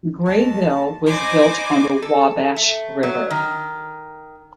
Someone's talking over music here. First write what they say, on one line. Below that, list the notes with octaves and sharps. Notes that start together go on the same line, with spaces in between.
Grayville was built on the Wabash River.
D#2 A5
D#4 C5 G#5 B5 D6
A4
A3
F#3
D#3